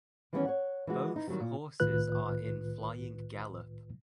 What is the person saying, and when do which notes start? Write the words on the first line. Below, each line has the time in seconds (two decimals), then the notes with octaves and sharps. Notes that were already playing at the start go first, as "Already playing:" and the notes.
Both horses are in flying gallop.
0.33 D#3 E3 G3 A3 B3 C#4
0.45 C#5 F#5
0.87 E3 G#3 F#4
1.16 D#4
1.28 D#3 F#3 G3
1.40 A#2
1.80 C2 A2 D#3 F4 B4 F#6